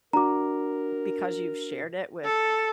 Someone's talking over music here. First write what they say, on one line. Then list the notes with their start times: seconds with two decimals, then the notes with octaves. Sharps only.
because you've shared it with
0.13 D4 F#4 A#4 A#5 D6
2.25 A4